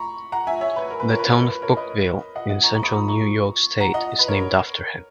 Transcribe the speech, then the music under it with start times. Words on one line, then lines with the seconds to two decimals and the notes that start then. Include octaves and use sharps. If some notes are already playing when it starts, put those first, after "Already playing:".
The town of Bouckville, in central New York state, is named after him.
Already playing: A#5 B5 C#6
0.32 F#5 A#5
0.47 E5 G#5
0.61 C#5 E5
0.76 B4
0.91 A#4
1.00 B4
1.10 A#4 C#5
1.19 B4
1.34 A#4
1.48 B4
1.62 A#4 C#5
1.77 B4 D#5
2.35 D#5 F#5
2.49 D#5 F#5
2.63 A#5 C#6
2.74 A#5 C#6
2.83 B5 D#6
2.92 A#5 C#6
3.08 A#5 C#6
3.80 F#5 A#5
3.94 D#5 F#5
4.19 B4
4.28 A#4 C#5